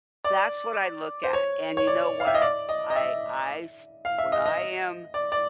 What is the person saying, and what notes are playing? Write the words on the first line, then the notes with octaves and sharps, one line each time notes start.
That's what I look at, and you know what, I I s when I am
D5
C5
C#5
C#5
D5
F5
E5
D#5
D5
D#5
D#5
E5
F5
E5
D#5
D#5
D5
D5